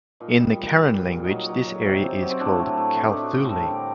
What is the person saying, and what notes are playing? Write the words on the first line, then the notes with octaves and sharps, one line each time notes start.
In the Karen language, this area is called Kawthoolei.
A#2 D#4
G3
G3
A#2
A#2
A#2
D#4
F#3 F#4
F#3
F#3
C3
C3
F#3
C4
A2 D4
A3
A2
A3 C4
D#4
A2 D4
F#4
A2
G4
A4
G3 A#4
D3 D5